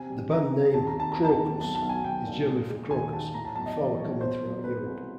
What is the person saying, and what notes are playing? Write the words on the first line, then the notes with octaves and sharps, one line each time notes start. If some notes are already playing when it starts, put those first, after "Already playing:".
The band name "Krokus" is German for crocus, a flower common throughout Europe.
Already playing: C3 G#5
G3
D#3 A#5
C3
D#2 A5
A#5
D#2 A5
A#5
D#2
A5
D#3
B1 A5
A5
B1
G#5
B1 G5
A#2
G#3
G#3
D#2 G#5
D#3 A5
A2 A#5
A5
B1 A5
D#5
E3 D5
B1 C#5
B2 C5
F#3
A3 B4
C2